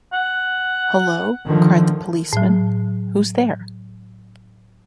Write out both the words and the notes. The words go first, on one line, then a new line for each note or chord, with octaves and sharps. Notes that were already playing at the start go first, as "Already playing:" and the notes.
"Hullo," cried the policeman, "who's there?"
F#5
D3 D#3 F3
A2 F#3